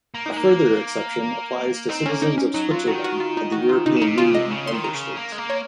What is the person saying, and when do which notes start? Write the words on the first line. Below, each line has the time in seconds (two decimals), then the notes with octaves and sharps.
A further exception applies to citizens of Switzerland and the European Union member states.
0.14 A#3
0.26 D#4
0.32 G#3
0.36 A#3
1.89 C4 D#4
2.06 C#4
2.11 A#3
2.22 D#4
2.38 C#4
2.54 F#3 D#4
2.71 F4
2.88 D#3 F#4
3.04 F#4
3.20 F4
3.37 D#4
3.52 F#4
3.69 F4
3.86 C3 D#4
3.96 C#3
4.02 D#4
4.07 C3
4.18 C#3 F4
4.30 C3 D#5
4.51 C#3
4.67 C6
4.73 D#3
4.84 A#5
4.94 C#3
5.16 A#3
5.32 G#3
5.38 A#3
5.50 C#5